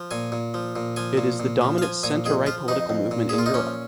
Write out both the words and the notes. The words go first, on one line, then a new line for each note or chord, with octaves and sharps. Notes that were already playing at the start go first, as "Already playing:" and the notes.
It is the dominant centre-right political movement in Europe.
Already playing: F3
A#2 G#5
A#2
F3
A#2
F3 G#5
A#2
A#2
F3
F5
F3 G#5
A#2 G#5
F2 G#4
F3 F4
F2 D#4
F2
A#2
G#4
A#2
F4
D#4
F3 C#4